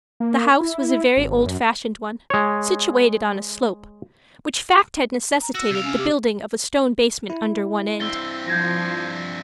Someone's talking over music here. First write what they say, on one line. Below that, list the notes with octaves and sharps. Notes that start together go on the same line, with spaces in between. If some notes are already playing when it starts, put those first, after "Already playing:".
The house was a very old-fashioned one, situated on a slope, which fact had necessitated the building of a stone basement under one end.
A#3
E4
G#1
F#2
G#3 C#5
A#5
F#4 E6
C3 F5
C#4
G4
E4
G2 C4 E6 G7
F3 G6 G#6 A#6